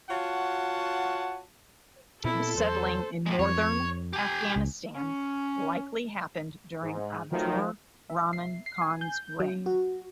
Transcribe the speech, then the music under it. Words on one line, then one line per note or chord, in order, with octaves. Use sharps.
The settling in northern Afghanistan likely happened during Abdur Rahman Khans reign.
F4 F#4 C#5 F#5 A5
A#2 B3 C4 E4 A4
E2 F#3 C5
A2 G#3
F2 C#5
G4 G#5
C#2
C#4
G#2
D#3 F3 F#3 A3
E5
C7
C7
G#5
G6
F#3
F#4